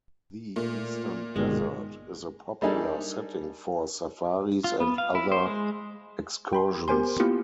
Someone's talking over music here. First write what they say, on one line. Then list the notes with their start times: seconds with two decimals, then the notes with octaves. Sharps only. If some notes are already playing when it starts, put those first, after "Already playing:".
The Eastern Desert is a popular setting for safaris and other excursions.
0.56 A#2 A3
1.36 G1 B2 D#3 G#3
2.62 G3 A#3 D4 D#4 G#4 A4
4.64 F4
4.80 B3
4.98 F5
5.15 E4
5.32 C5
5.47 G#3
6.53 G5 B5 C6
6.88 B3 G4 A#4 C5 G#5 C6
7.20 A#3 B3 E4 F4 G4